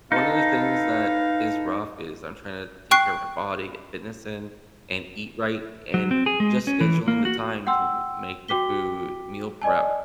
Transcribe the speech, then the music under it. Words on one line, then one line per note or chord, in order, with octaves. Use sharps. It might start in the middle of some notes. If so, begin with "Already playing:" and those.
one of the things that is rough is I'm tryna take care of my body, get fitness in, and eat right, and just scheduling the time to make the food, meal prep
D#4 A4 B4 F5
G5 C#6 F#6 C7
F#3
C4
G#4
G#3
C#4
E3
A#3
F#4
F#5 G5 C6 E6
F#4 G5 D6 B6 G7
D5 D#5 G#5 A5